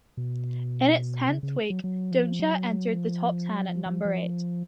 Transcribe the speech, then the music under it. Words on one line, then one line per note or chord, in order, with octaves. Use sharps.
In its tenth week, "Don't Cha" entered the top ten at number eight.
B2
C#3
C#3
F#3
F#3
F3
F#3
F3
F#3
F3
F3
F3